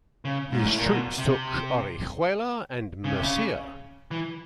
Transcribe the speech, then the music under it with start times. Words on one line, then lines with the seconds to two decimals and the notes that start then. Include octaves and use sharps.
His troops took Orihuela and Murcia.
0.25 C#3
0.52 G#2
0.66 A2
0.78 A#2
0.91 B2
1.18 C3
3.04 C#3
3.13 C3
3.22 C#3
4.11 E3